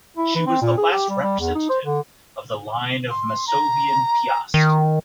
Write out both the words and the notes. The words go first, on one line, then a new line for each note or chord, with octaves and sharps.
She was the last representative of the line of Masovian-Piast.
E4
E3
C4
A#2
G#4
G4
G3
G3
E2
D#4
C5
D3
C6
A#5
D#3